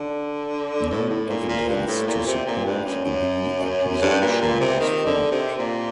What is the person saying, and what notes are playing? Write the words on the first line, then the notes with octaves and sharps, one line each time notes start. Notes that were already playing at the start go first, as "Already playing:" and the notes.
No evidence to support the accusation was found.
Already playing: D3
A2
A2
A#2
A#2
G2
A2
A#2
C3
A#2
G2
F#2
F#2
G2
A#2
A#2
C3
D#3
D3
C3
A#2